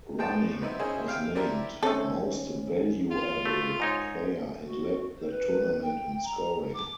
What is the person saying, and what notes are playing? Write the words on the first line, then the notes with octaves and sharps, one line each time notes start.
Ronning was named Most Valuable player and led the tournament in scoring.
A2 G#3 G5 A5
B3 C4 D#4 E4
C#4 D#4 E4 G#4 C5 D#5
C3 F5 G5
C4 D4 E4 G4 A#4
D#2 A3 C4 C#4 A4
F4
A3
G#2 D#4 C#5
F#4
C5
B4
G5
A#5
D6